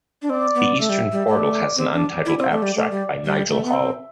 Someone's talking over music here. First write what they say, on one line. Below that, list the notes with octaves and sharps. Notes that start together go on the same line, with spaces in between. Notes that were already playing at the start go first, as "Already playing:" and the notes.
The eastern portal has an untitled abstract by Nigel Hall.
D4
C4 D5
B3
A3 E5
G3
G3
A3 D5
C4 D5
D4
E4
C4
A3
G3
A3 D5
G3
G3 E5
A3
B3
C4